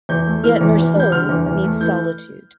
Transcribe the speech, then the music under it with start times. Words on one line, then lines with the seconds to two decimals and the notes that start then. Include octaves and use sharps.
Yet Mersault needs solitude.
0.09 E2 G6
0.26 A3
0.44 E3 F6
0.61 E2
0.77 E2
0.95 G3 G6
1.12 D3 F6
1.29 E2
1.46 E2
1.64 A3
1.81 E3 G6